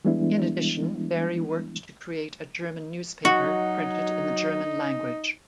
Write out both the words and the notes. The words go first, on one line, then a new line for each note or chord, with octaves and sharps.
In addition, Barry worked to create a German newspaper printed in the German language.
E3 G3 G#3 B3 D4 E4
F#3 D#4 F#4 D#5 F#5